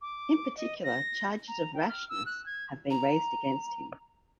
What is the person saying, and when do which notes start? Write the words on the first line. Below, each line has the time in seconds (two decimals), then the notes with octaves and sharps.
In particular, charges of rashness have been raised against him.
0.02 D6
0.57 D#5
0.84 A#6
1.48 A#5
1.74 G5
1.89 F6
2.09 E6
2.26 F#6
2.46 G#6
2.90 A#5